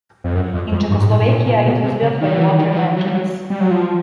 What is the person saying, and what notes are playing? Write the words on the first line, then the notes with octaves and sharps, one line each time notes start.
In Czechoslovakia it was built by Walter Engines.
F2
F#2
F2
F2
G2
G#2
A2
A#2
A#2
B2
C3
C#3
D#3
E3
D#3
D#3
F3
E3
F#3
G3
F#3
G3
F#3
F3